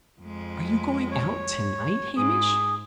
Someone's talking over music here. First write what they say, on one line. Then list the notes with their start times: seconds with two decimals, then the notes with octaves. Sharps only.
"Are you going out to-night, Hamish?"
0.21 F2 G#3
1.11 C#5
2.16 G#2 G#4